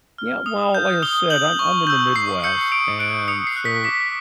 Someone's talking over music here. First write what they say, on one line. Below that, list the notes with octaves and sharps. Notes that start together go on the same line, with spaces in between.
Yeah, well, like I said, I'm I'm in the Midwest, and so
F6
D#6
G6
D#6 G7
G6 F#7
C#6
E6 G6
C#6 C7
E6 G6 C#7
D#6 D7
F#6 D7
D#6 C#7
C7
F#6
B6
D6 B6